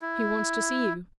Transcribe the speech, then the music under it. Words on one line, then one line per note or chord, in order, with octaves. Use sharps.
She wants to see you.
E4